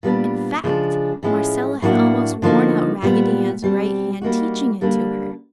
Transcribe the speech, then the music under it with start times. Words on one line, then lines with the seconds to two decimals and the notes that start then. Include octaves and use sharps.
In fact, Marcella had almost worn out Raggedy Ann's right hand teaching it to her.
0.03 A#2 G3 B3 D4
0.64 C#3 F3 G#3 B3 D4
1.23 A2 F3 G#3 C#4
1.82 A2 F#3 A#3 D4 F#4
2.42 D3 F3 A#3 D#4 F#4
3.02 A#2 G3 B3
3.62 B2 G3 C4
4.22 G3 A#3 D#4 F#4
4.81 D3 G3 A#3 D4